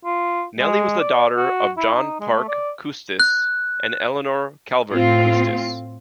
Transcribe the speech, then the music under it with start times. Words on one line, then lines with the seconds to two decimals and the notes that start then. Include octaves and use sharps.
Nelly was the daughter of John Parke Custis and Eleanor Calvert Custis.
0.05 F4
0.60 G#3
1.00 D5
1.37 F#4
1.77 E4
1.94 D#4
2.20 G#3
2.33 A3
2.48 D5
3.20 F#6
4.90 A2 C4 F4